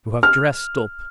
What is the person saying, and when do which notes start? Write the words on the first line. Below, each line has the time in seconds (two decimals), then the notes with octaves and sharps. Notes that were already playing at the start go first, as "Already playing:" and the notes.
You have dressed up.
0.23 F6